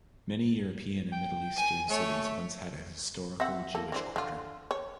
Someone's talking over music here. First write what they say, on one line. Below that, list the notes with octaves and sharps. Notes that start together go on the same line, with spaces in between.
Many European and Middle Eastern cities once had a historical Jewish quarter.
G5
G#5
A3 C#5
C4 E5 F#5
A#3 A4
E3 D4 C5
D3 F4
C#5